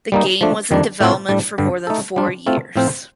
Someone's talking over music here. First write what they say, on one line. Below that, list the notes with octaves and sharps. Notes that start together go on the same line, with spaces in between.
The game was in development for more than four years.
G3 A#3 D#4
F3 A3 D4
F2 D#3 G3 D4
A2 A3 C4 F4 A4
A2 G3 D4
G2 D3 G3
A3 D#4 A4
G3 D4 F4
A3 C4 F4
A2 F3 C4 F4 C5